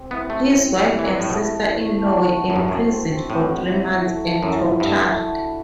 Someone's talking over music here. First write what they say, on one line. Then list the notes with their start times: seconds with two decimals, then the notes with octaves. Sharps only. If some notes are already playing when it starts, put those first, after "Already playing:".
His wife and sister-in-law were imprisoned for three months and tortured.
Already playing: C4 G4
0.11 B3 E4
0.30 A3 C4
0.50 C4
0.68 G4
0.87 G4
0.99 E3
1.06 F#3 E4
1.20 A2 A3
1.30 B2
1.43 E4
1.61 A3
1.81 A3
1.99 A3
2.17 F#4
2.36 F#4
2.50 F#2
2.55 G2 F#4
2.68 F#2
2.74 C4
2.92 C4
3.12 C4
3.30 A2 C4
3.49 F#4
3.68 E4
3.86 B3
4.05 A4
4.24 E4
4.42 F#2 B3
4.61 E4
4.80 G2 E4
4.98 A4
5.18 F#4
5.35 D4